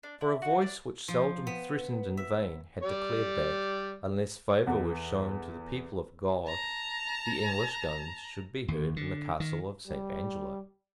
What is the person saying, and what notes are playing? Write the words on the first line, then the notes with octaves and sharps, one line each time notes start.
For a voice which seldom threatened in vain had declared that, unless favour were shown to the people of God, the English guns should be heard in the Castle of Saint Angelo.
D4
E4
F#4
D4
F3
B3
E5
G3 D5
E2 A4 F#5
A5 A#5
D#2
D3
D#3
G3